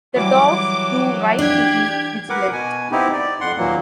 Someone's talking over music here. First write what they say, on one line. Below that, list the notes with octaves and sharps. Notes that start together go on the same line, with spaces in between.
The dogs do right to be vigilant.
E3 F#3 G3 D6
D4 G4 G#6
A#4 B4 F#5 D6
B2 G#5
B3 C4 D#4 E4 G4
D5
F2 F#5 C6
D#2 A#2 E3 F#3 A#3